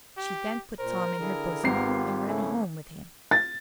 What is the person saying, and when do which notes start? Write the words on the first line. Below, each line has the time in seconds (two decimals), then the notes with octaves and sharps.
She then put Tom in her bosom and ran home with him.
0.17 G4
0.79 A#2 A#4 C5
1.20 D3 E4 G#4
1.63 G#1 B3 F4 G4 C7
2.26 C#3 A3 C#4 E4
3.31 A6